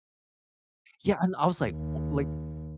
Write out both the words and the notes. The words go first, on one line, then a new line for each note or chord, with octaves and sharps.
Yeah, and I was like like
D#2